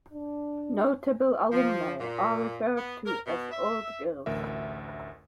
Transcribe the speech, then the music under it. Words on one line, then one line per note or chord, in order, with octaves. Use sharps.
Notable alumnae are referred to as Old Girls.
D4
F3
A#2
B3
A#4
B2
E5
A1 D2 A#4 E5